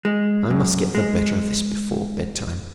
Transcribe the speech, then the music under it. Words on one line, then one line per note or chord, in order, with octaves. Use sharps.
I must get the better of this before bed-time.
G#3
F#2
G#3